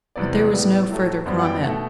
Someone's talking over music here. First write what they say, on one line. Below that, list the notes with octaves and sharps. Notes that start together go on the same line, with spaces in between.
But there was no further comment.
E2 C3 G3 B3 D5
A2 G3 B3
A2 F#3 A3
F#2 E3 G3 B3 C5
F#5
G5
B2 A3 F#5